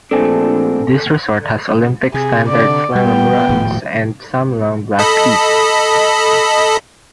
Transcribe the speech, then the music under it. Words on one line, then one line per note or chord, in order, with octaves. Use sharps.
This resort has Olympic-standard slalom runs and some long black pistes.
A#1 A3 C4 D4 A4 G#5
C3 G#4
D3 D5
G3 B3 G5
D#1 A2 F3
A4 D#5 B5